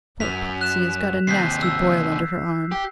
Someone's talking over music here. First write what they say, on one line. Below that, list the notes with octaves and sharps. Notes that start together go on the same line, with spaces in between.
"Poor Potsey has got a nasty boil under her arm."
F#2 B6 F7
F#6 E7
D#2 C3 G6 B6 C7
E6
G4